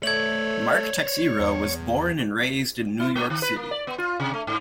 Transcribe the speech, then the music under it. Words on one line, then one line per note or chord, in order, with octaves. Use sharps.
Mark Texeira was born and raised in New York City.
A3 A4 C#5 D5 G#6 F#7
E2
E4
A3
D#3
B4
A#3
D5
B3
F4
C3
A3
G#2